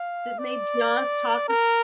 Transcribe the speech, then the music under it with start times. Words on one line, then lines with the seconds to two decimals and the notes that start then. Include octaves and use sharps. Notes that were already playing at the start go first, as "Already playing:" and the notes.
Didn't they just talk
Already playing: F5
0.39 D5
1.48 A#4